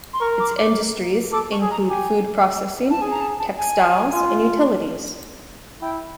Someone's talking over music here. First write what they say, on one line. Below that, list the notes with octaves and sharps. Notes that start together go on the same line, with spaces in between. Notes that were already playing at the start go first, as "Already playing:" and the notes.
Its industries include food processing, textiles, and utilities.
C6
A#4 C#6
D6
D6
A4 D6
C#6
G#4
A#5
G4 G#5
A5
G#4 G#5
A#5
A5
A5
G#5
F4
E4 G5